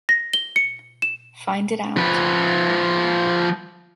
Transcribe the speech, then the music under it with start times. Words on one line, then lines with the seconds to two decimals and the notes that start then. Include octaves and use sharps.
Find it out!
0.09 A#6
0.33 G7
0.56 C#7
1.02 E7
1.97 F3 B4